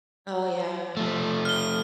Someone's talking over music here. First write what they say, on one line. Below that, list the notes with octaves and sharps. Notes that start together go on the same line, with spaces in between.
Oh, yeah.
F3 A3
F6 G7